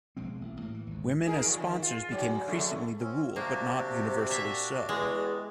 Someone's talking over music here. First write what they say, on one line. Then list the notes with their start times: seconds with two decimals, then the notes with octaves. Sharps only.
Women as sponsors became increasingly the rule, but not universally so.
0.17 E1 A#1 G#3 C4
0.41 A1
0.59 A2 A#3
0.74 E3
0.87 G#1 D2
1.26 D#4 G#4 A#4
1.46 E2 A#2
1.60 D#3
1.83 F4
2.09 G#2 F#3
2.48 F2 D3 A3
2.99 C4 C#4
3.36 C3 A#3 D4 F#4 G4
4.30 A#2 E5
4.89 E2 G#3